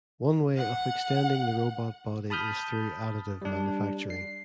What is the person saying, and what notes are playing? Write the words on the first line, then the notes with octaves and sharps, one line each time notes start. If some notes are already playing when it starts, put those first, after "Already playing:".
One way of extending the robot body is through additive manufacturing.
F#5
A5 B5 D#6 F6 G6
G3 D4
C7